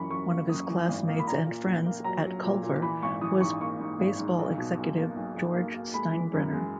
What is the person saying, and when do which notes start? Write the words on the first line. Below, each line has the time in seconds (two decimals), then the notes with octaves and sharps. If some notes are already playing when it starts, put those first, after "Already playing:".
One of his classmates and friends at Culver was baseball executive George Steinbrenner.
Already playing: F#2 E3 B5 C#6
0.10 F#2 C#6
0.30 A#3
0.49 F#2 D#6
0.69 E3
0.88 G#1
1.08 A#3
1.19 B5
1.27 A#2 A#5
1.47 A#2
1.66 A#1
1.86 A#3
2.04 F#3 A#5
2.24 F#3
2.43 A#2
2.63 A#2
2.82 E3 B5
3.03 G#1 C#6
3.21 E3 D#6
3.41 G#2 C#6
3.60 A#3 C#6
3.80 G#2
3.99 G#1
4.19 G#2
4.38 B1
4.58 B2
4.78 B1
4.97 A#3
5.16 B1
5.35 B1
5.55 A#3
5.74 A#3
5.94 G#3 B5
6.13 E3
6.33 F#2
6.53 G#3